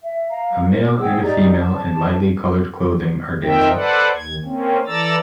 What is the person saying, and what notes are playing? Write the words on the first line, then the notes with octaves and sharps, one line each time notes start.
A male and a female in lightly colored clothing are dancing.
E5
F5 A#5
A#4
G#4 F#5 G5 E6
D#4 G4 D5 A#5
A5
F2 C4 D#4 A#4 E5 G5
A4 B4 C5 D5 F#5
D#2 G#6
A#3 C4 C#4
E3 A4 D5 A#5 E6 A6